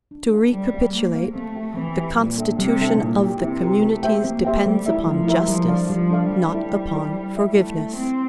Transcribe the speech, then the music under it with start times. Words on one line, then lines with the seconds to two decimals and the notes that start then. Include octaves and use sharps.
To recapitulate: the constitution of the communities depends upon justice, not upon forgiveness.
0.11 D4
0.32 A4 C5 F5
0.52 G3 A3
0.73 C4 G4 C5 F5
0.94 A3 A#3
1.14 C4 G4 C5 F5
1.35 A3 C4
1.55 G4 A#4 E5 G5
1.77 E3 C4
1.97 G4 A#4 E5 G5
2.17 A#2 G3
2.38 D4 A4 E5 G5
2.59 C3 G3
2.80 D4 A4 E5 G5
3.00 A#2 E4
3.21 G4 A#4
3.41 C3 E4
3.62 G4 A#4
3.83 A3 C4
4.03 G4 C5 E5 G5
4.24 A#3 C4
4.45 G4 C5 E5 G5
4.66 G3 A3
4.86 E4 A#4 E5
5.07 F3 A3
5.27 E4 A#4 E5
5.48 F3 G3
5.68 D4 A4 D5 F5
5.90 F3 G3
6.10 D4 A4 D5 F5
6.30 G3 A3
6.51 E4 A4 C5
6.71 A3
6.93 E4 A4 C5
7.14 E4
7.35 A4 E5
7.54 A3 E4
7.76 A4 E5
7.96 C4 E4